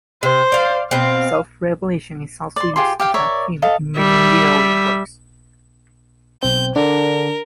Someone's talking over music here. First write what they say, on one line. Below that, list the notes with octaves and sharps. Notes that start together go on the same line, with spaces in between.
Self-Revelation is also used as a theme in many literary works.
C3 C5
D5 F5
B2 C4 F5
D5 C6
F4 G4 G#4 C6
G4 F5 G5
A#4 C#5 D5 E5
A4 D#5 F5
G3 E5
B1 C4 G6
D3 D4 A#4